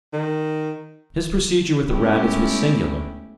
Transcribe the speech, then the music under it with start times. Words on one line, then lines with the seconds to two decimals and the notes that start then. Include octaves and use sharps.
His procedure with the rabbits was singular.
0.13 D#3
1.90 G#3 A3 B3 C#4 E4 G4